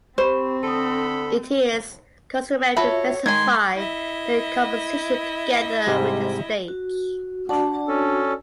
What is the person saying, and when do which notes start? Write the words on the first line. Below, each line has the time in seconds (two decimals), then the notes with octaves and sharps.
It is customary to specify the composition together with the stage.
0.18 C4 G4 C5 B5 C#6
0.63 D3 A4 A5 B5 D#6
2.77 F4 F#4 A4 C#5 E5 B5
3.26 D#3 G#3 G#5 C6 G#6
3.75 E4 D#5 E5
5.87 G#2 C3 G3
6.68 F#4
7.49 D4 F#4 D5 A5
7.88 C#4 A4